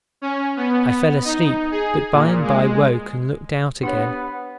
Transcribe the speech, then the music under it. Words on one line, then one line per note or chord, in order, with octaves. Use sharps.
I fell asleep, but by and by woke and looked out again.
C#4
B3
D#4
G#4
A#2
G#3
B3 D4 G4 C#5